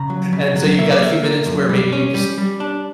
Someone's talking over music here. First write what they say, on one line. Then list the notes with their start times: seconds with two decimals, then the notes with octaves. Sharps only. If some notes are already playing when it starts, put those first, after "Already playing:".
And so, you got a few minutes where maybe you just
Already playing: C#3 A#5
0.10 F#3
0.33 C#3
0.56 F#3
0.78 A#3 E5
0.91 D5
1.01 A#3 E5
1.24 A#3
1.46 F#2
1.69 G3
1.93 C#4
2.14 G3
2.38 G3
2.60 D4